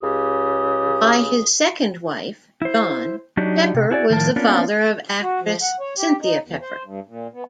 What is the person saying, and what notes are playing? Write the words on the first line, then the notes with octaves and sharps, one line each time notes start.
By his second wife, Dawn, Pepper was the father of actress Cynthia Pepper.
C#2 C#3 G4 D#6
E4 C5
F#3 D4 D#4 F#4 G4
C3
E4 F#4 G#4 C#5 D5
A2 D#3 F3 A#4 A5
A#3 B3 C#4 D4 F4 A#4
F#4
F3
F#5
C#5
G4
D#4
E2
C5
G2
A#2
B3